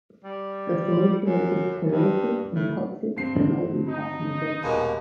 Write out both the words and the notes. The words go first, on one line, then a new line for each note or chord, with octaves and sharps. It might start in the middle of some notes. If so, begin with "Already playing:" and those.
The solution is corrosive and toxic, and may be carcinogenic.
G3
F#2
G2
A2
G2 C4 C7
D#4
D#1 B2 G#3 A#3 G#5 C#6